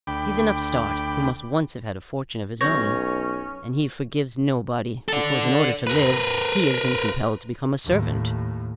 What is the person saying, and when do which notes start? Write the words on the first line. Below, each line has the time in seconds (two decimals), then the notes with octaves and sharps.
He's an upstart who must once have had a fortune of his own; and he forgives nobody because, in order to live, he has been compelled to become a servant.
0.07 D2 G5 B5 D6
2.61 B1 C#4 C#5 G6 A#6
5.08 A4 D5
5.87 A#4 B4
7.84 D#2 A2